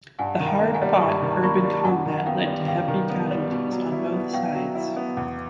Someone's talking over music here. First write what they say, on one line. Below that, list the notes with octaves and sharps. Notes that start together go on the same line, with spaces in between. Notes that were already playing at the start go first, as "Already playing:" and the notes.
The hard-fought urban combat led to heavy casualties on both sides.
G2 F#5 G#5
F#5
D#3
F5 G5
A#3
F#5 G#5
G3
G2 B5 C#6
D#3
A#3 B5 C#6
G3
A5
F#2 F#5 G#5
D#3
F#5
B3 F5 G5
G3
F#2 F5 G5
D#3
B3
G3
B2
F#3
E4
B3
B2 F5 G5
F#3
E4
B3
E2